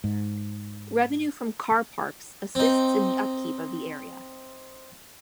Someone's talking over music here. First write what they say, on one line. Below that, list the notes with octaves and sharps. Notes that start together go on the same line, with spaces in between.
Revenue from car parks assists in the upkeep of the area.
G#2
C4 D#4